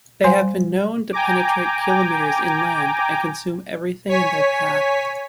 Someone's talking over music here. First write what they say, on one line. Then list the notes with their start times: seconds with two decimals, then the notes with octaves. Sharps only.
They have been known to penetrate kilometers inland, and consume everything in their path.
0.24 G3 C5 G#5 C6
1.13 G5 G#5 A#5 D6
4.09 C#5 G#5 B6